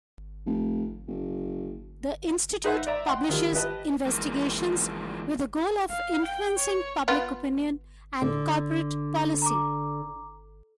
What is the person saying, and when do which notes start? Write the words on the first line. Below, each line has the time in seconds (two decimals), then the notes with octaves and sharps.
The Institute publishes investigations with the goal of influencing public opinion and corporate policy.
0.46 F1
1.08 F#1
2.64 D#4 B4 C5 E5 F#5
2.87 D5 E5 A#5
3.06 D#5 F#5 G5 C6
3.29 D#3 F3 G3 E4
3.54 G4 B4 D#5 A5
4.06 E3 F3 G#3 A#3
5.89 F5
6.25 G5
6.57 C#5
7.08 B3 F4
8.22 D3
9.42 A#5 D6